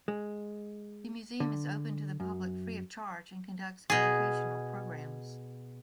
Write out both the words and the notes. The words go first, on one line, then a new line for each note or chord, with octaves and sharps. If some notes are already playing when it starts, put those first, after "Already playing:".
The museum is open to the public free of charge and conducts educational programs.
G#3
D3
F#2
B2 G#4